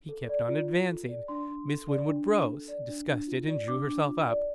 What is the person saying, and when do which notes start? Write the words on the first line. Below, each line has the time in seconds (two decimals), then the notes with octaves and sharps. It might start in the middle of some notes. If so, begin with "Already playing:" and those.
He kept on advancing. Miss Winwood rose, disgusted, and drew herself up.
0.09 A4
0.29 D5
0.49 F4
0.69 F4
0.89 A4
1.09 D5
1.28 D4 C6
1.48 D4
1.68 A4
1.88 D5
2.08 D4
2.29 D4
2.48 A4
2.68 D5
2.88 D4
3.08 D4
3.27 F4
3.48 D5
3.68 D4 D6
3.88 D4
4.07 F4
4.27 D5